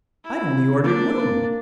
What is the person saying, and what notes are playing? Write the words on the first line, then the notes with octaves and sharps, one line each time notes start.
I only ordered one.'
E4
A#3 D4 D5